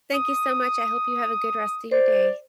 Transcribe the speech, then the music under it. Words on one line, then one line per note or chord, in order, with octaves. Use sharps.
thank you so much, I hope you have a good rest of your day.
D#6
C5 D5